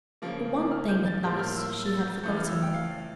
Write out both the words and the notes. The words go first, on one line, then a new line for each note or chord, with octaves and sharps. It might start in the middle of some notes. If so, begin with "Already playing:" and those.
But one thing--at last--she had forgotten.
C#3 F3 A#3
F6
G6
A6
A2 G3 A#3 G6
F6
E6
E6
A6
G6
A6
F2 C#3 E3 A3 G6
F6
E6
G5
F5